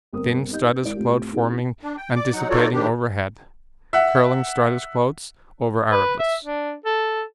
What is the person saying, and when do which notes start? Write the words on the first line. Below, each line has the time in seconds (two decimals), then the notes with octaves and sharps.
Thin stratus cloud forming and dissipating overhead, curling stratus clouds over Erebus.
0.13 G1 C4 A#4 D#6
0.51 D#4 G4 D#5 G6
0.63 B4
0.83 G#1 E4 A#4 D5 D7
0.95 A2 C4 F4 G4
1.32 C4 D#4 E4 F#4 G#4
1.83 D4
1.97 G5
2.16 D5 D6
2.33 F#3 D#4 F#5
2.50 D#4 F4 F#4 A4 C#5 D5
2.72 G#2 D#3 D4 G4
3.93 E5 F#5
5.92 B4
6.20 E5
6.45 D4
6.86 A4